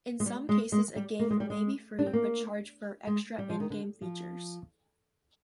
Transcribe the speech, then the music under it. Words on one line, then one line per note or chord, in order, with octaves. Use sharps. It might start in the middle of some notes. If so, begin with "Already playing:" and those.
In some cases a game may be free, but charge for extra in-game features.
G#3
G3
G#3
G#3
G3
A#3
G#3
G3
G#3
D4
C4
A#3
G#3
G3
F3
D#3
D3
F3